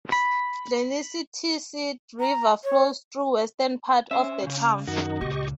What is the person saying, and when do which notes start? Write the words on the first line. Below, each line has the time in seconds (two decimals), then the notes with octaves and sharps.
The Nissitissit River flows through the western part of the town.
0.12 B5
2.20 A#5
2.64 C#5
4.11 C#4 C5 E5
4.43 C2 C#3
4.87 F#2 D#3 D#4 F#4
5.21 C#2 A#2 G4 D#5 C#6